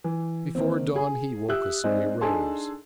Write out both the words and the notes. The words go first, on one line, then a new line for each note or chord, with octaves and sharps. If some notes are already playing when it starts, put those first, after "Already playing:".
Before dawn he woke us, and we rose.
E3
D#3 A#3 C4
G#4
G4 E5 D#6 E6 F#6
G#3 C4 D#4 C5 D5 D#5
D4 D#4 G#4 A4 A5 C6